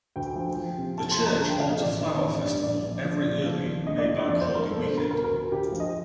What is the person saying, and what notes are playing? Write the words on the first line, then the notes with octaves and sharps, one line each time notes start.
The church holds a flower festival every early May Bank Holiday weekend.
D2 G5
F3
F3
C3
F3 A5
C6
F3
A#5
D3 A5
G5
F3 F5
D#5
A1 D5
D#3
A1
G2
A#1 D5
A#1
F3
A#2
F3
D#2
D3 D#5
D5
D3 D#5
F2 D5
C5
F2
A#4
F3 A4
C5
D3
A#4
D2 A#4
A#4
D2
D2 G4
F3
D#5